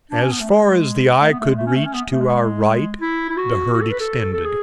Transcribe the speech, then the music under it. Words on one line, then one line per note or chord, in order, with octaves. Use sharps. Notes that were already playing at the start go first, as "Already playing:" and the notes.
As far as the eye could reach to our right, the herd extended.
D4
C#4
B3
A3
G#3
A3
B3
A3
G#3
A3
C#4
A3
C#4
B3
A3
G#3
E4
E4
F#4
F#4
A4
B4
A4
A4
G#4